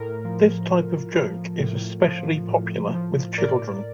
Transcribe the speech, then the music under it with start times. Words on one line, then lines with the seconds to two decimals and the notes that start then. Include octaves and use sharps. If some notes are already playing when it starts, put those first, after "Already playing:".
This type of joke is especially popular with children.
Already playing: A2 A#4
0.25 F3
0.69 A2
1.14 F3
1.60 A2
2.04 F3
2.48 A2
2.94 F3
3.38 A2 A#4 D5